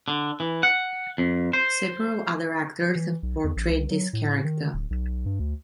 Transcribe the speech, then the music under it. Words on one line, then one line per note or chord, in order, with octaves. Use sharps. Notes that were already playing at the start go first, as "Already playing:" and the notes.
Several other actors have portrayed this character.
D3
E3
F#5
F2
C5
E3
B1
E2
A1
C2
F#3
A2
D#3
D1
B1
G2
D2